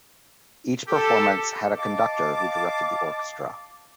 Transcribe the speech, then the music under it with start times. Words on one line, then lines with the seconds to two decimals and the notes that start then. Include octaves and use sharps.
Each performance had a conductor who directed the orchestra.
0.88 G4 A4
1.77 D#5 F5 A5 D6